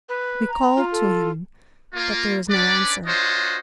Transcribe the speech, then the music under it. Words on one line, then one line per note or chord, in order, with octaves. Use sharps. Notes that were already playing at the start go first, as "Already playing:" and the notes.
We called to him but there was no answer.
B4
A#5
F4
A4
A#3 F4
C#4 D4 B4 D5
D4 F4 F#4 C5 C#5 D#5